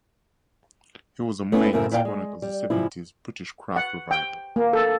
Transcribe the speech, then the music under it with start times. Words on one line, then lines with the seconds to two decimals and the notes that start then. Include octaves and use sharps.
He was a main exponent of the seventies British Craft Revival.
1.52 A3 B3 C#4 E4
1.73 F#2 A2 C#3 C4 A#4 E5
1.92 A#2 E4 F4 D5 F5 G5
2.05 G#3
2.42 G3
2.70 F2 G#2 C3 F3 E4
3.76 F#5
4.11 G5
4.56 A#3
4.73 A4